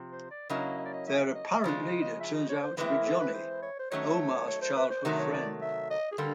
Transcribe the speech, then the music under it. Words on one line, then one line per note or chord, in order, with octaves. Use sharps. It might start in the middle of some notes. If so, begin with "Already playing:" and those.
Their apparent leader turns out to be Johnny, Omar's childhood friend.
Already playing: C3 F3 C4
C5
D5
C#3 F#3 A#3 C#4 E4 D#5
D#5
D5
D#5
E5
D#5
C#3 F3 G#3 D5
D#5
D#5
E5
D#5
C#5
C5
E3 G#3 C4 E4 B4
A#4
A4
B4
C5
C#5
C5
D#3 F#3 A3 C#4 C#5
C#5
C5
B4
C5
C3 D#3 F#3 A3
C#5
D5
E5
D#5
G#4
D3 G3 A#3 A4